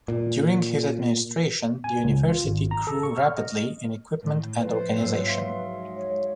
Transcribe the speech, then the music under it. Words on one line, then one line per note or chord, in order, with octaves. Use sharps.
During his administration the University grew rapidly in equipment and organization.
A#2
G#5
C#2
F4
G#1
A#5
A4
C#6
F6
D#5
A2 A3
C3 F3 B4 C5
G#2 F#3 A#3 C4 C7
E5 F5 C6
G#3
C#5